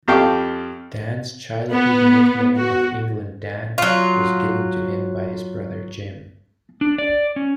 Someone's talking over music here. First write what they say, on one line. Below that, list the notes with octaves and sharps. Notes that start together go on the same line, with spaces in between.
Dan's childhood nickname of "England Dan" was given to him by his brother Jim.
F2 G4 A4 F5 G5 C#6
B3
F#4
F#3 F4
D4
D5
C#4